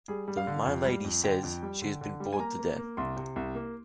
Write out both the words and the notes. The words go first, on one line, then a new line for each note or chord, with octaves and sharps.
My Lady says she has been "bored to death."
G3 G#4
G3
F5
D3
F2
G3
F2
D3 G5
F2
G3
D3
D3
G3
G#5
A#3 A#5
A#3
A#3
C2 C6
C3
C2
A#3